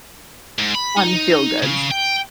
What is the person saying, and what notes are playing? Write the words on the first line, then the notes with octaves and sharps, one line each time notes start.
on feel goods.
G#2
B5
D#4
C#3
G5